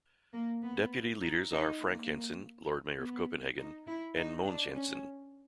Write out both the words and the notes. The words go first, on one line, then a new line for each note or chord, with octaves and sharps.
Deputy leaders are Frank Jensen, Lord Mayor of Copenhagen; and Mogens Jensen.
A#3
B3
D#4
D#4
A#3
B3
D#4
E4
D#4
D4
C#4